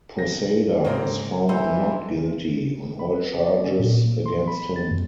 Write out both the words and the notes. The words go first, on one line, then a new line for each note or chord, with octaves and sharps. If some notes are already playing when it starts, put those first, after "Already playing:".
Posada was found not guilty on all charges against him.
A#6
G#2 C#3 A#3 C4
E3 D#4 A4 C5
B5
B4
D5
C#4
A#2
A#3
C6
B5
A6
F#2